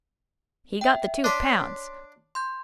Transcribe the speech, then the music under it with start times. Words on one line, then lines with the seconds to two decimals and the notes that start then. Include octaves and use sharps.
He got the two pounds.
0.81 E5 G5
1.24 D4 C#5 D5 C6 B6
2.35 C6 G6